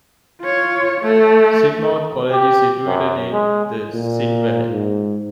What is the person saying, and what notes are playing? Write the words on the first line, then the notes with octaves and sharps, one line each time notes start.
Sidmouth College is situated in the Sid Valley.
F4 C#5
A3
G4
F#2
G#3
A#2
G#2